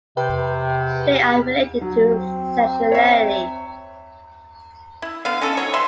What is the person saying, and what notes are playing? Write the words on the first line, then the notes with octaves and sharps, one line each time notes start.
They are related to sexuality.
C3 B4 G5
F#3
C4
C#5 E5
E4
D3 B3 F5
C#4 D#4 A4
F#3 D#4 C#5
B4 E5 C6